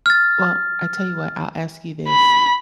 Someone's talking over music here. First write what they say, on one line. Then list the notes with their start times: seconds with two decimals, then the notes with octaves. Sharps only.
Well, I tell you what. I'll ask you this.
0.06 F6 A6
2.09 B5